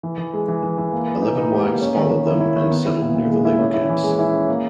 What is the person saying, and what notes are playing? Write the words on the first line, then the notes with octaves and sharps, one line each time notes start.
Eleven wives followed them and settled near the labour camps.
E3
E3
G#3
E3
E3
E3
A#3
B4
D#4
D#4
G4
A#3
C#4
D#3
D#3
E4
E4
D#3
B3
E4
A#2
A#2
G#3
E4
C#4
E4
E3
G#3
E4
C#4
A#3